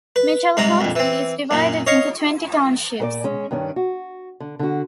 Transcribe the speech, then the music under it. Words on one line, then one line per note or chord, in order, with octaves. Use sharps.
Mitchell County is divided into twenty townships.
B4
G#2 C3 G3 A#5
A#1 F2
E3 C4
F#2 A#2
C#5 D#5 F5 C#6
A#2 B4 D5
G#3 C#4
G2 D#3 C#4 D4
F#4
D3
D3 F#4